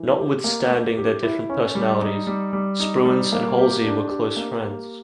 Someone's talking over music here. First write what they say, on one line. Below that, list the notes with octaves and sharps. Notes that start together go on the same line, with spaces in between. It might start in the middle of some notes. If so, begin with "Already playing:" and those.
Notwithstanding their different personalities, Spruance and Halsey were close friends.
Already playing: E3
G4
A#3
A#3
G4
E4
C#4
G3
D#4
G3
G3
D#4
G3
A#3
G4
D4
G4
A#3
G4